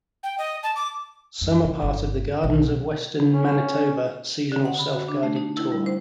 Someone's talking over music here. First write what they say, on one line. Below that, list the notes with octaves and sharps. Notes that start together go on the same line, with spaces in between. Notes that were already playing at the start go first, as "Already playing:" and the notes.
Some are part of the Gardens of Western Manitoba seasonal self-guided tour.
G5
D#5
A5
D6
F#2
C#3
G1
B1
C#4
D3
F#5
B5
F#4
D4
A3
D#4
E4
G3
C5